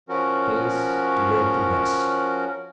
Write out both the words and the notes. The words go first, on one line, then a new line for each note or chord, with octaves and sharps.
Face toward the West!
F3 C#4 F#4 A#4